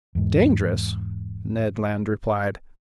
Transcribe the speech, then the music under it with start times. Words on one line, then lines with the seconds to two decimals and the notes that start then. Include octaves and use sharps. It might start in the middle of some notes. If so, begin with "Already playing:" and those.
"Dangerous?" Ned Land replied.
0.15 E2 G#2